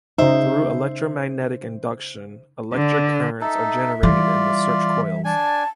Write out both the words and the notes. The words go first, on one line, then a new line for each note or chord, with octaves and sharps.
Through electromagnetic induction, electric currents are generated in the search coils.
C#3 D#4 C5 E5
D3
D#4 A4 E5
E3 G3 F4 D5
D4 G#5 A5